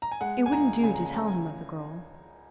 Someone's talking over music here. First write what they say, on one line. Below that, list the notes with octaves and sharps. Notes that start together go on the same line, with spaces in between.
It wouldn't do to tell him of the girl.
A#5
G#5
G#3 F#5
G#5
C#2 A#5
C#3 G#5
A#5
G#5
C#2 A#5
G#5